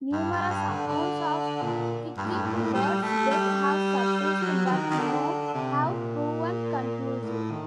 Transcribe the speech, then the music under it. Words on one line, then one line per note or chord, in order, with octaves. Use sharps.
Numerous accounts of Kicking Bird's death have surfaced but none have proven conclusive.
G2
G2
G2
D3
D3
A#2
G2
A2
G2
A2
A#2
A2
G3
A3
G3
F#3
F#3
D#3
D#3
D3
C3
A#2
A2
D#3